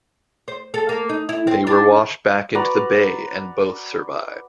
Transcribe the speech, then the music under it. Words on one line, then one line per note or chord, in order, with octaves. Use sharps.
They were washed back into the bay and both survived.
C5
A4
A#3
D#4
E4
C4
D4
F#4 B4 D5 A#5